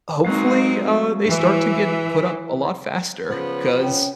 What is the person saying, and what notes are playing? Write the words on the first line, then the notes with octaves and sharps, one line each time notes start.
hopefully, uh, they start to get put up a lot faster 'cause
F#3 G#3 A#3 C4 D#4 F5
E3
C#3 F3 B3
C#4 G5